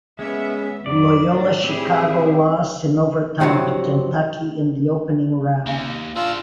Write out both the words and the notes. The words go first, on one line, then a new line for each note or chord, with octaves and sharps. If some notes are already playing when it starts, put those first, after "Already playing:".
Loyola Chicago lost in overtime to Kentucky in the opening round.
G#3 B3 C#4 E5
F2 F#3 D5
A2 D#3 D4
G3 C4 E4 G#4
G2 C3 F3 F#3 E4
D#2
F3 D4 F4 E6